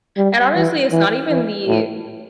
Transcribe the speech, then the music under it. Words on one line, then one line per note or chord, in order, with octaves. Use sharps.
and, honestly, it's not even the
G3
E3
E3
E3
A2